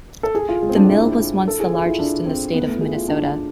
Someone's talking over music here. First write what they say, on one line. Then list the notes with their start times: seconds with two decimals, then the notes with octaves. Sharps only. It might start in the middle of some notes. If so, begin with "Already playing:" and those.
The mill was once the largest in the state of Minnesota.
0.23 A4
0.35 G#4
0.49 F4
0.62 G#3
0.69 C4
0.76 D4
0.89 E4
1.48 A4
1.60 G#4
1.73 F4
1.86 E4
1.99 D4
2.26 C4
2.54 B3
2.67 A3
2.76 F4
2.81 G#4
2.88 E4
2.94 F4
3.08 D4